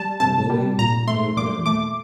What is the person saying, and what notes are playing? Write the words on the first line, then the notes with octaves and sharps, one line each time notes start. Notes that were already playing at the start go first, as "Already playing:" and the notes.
A boy with a toy gun.
Already playing: G3 A5
C3 A5
G3
A#2 A#5
A3 C6
A#2 D6
A3 D6